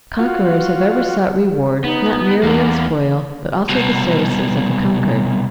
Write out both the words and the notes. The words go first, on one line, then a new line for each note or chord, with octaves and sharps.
Conquerors have ever sought reward not merely in spoil, but also the services of the conquered.
F4 F#4
B3 D#4
E2 A#3 B3
C2 B2